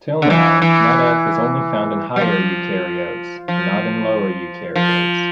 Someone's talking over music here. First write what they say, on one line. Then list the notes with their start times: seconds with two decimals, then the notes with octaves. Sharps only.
Till now, NatF is only found in higher eukaryotes, but not in lower eukaryotes.
0.22 D3
0.30 E3
0.62 E3
2.16 G3
2.21 F3
3.48 F3
4.76 F3